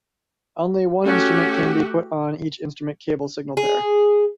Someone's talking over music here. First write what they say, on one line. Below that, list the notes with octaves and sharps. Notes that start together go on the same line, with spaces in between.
Only one instrument can be put on each instrument cable signal pair.
A3 C#4 F#4 G4
G#4